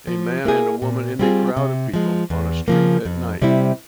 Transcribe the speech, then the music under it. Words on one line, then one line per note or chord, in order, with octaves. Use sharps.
A man and a woman in a crowd of people on a street at night.
F3
A#3 E4 G#4
A#2
G3 C4 F4 G#4
C3
F3 G#3
E2
C#3 F3 A#3
F2
C3 G3 C4 E4